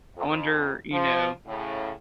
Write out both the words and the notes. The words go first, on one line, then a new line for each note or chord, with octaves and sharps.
I wonder, you know
F2
F3
A2 C#3